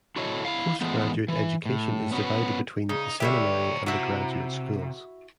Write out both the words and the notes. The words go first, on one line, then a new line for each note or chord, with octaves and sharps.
Postgraduate education is divided between the seminary and the graduate schools.
E4 F#4 A4 C#5 D#5
E4 F5
E3 F3 G#3 A3 B3
E3
A2
B3 C#4 F#4 B4
C#3 D#4
D3 G3 G4 C#5 E5
C3 E4 F#4